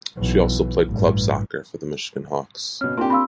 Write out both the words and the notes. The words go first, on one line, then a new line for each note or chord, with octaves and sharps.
She also played club soccer for the Michigan Hawks.
B1 E3
A1 G2
B2 C#4 F6
A#3 C4 D4 F4 G4 C6
C4 F5 B5 C6 E6